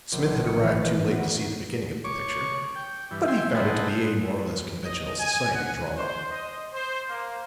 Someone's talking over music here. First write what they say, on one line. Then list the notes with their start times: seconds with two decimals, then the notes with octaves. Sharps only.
Smith had arrived too late to see the beginning of the picture; but he found it to be a more or less conventional society drama.
0.12 A#1
0.25 A#1
0.46 C#7
0.63 E3
0.82 A6
1.04 B3
1.19 D2
2.04 C#5 C#6 D6
2.76 G5
3.11 G2 E3
3.28 E5 G5 G#5 C6
3.54 A4 B4 C5 D#5 F#5 G#5
4.82 D#5
5.19 G#5
5.54 F#5
5.95 C5
6.31 D#5
6.73 C5
7.07 A#3